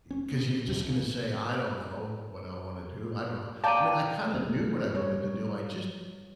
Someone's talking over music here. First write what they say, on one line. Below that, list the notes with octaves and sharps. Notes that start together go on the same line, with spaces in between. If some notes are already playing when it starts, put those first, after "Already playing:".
eh eh, 'cause you're just gonna say, "I don't know what I wanna do, I don't know," I mean, I kinda knew what I wanted to do, I just
C#4
B2 B3
D2 G#2 D3
C#3
D5 F5 G5 A5 A#5 D#7
G3 C#5